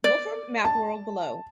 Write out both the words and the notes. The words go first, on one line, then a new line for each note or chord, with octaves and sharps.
Wolfram MathWorld below.
D5
A5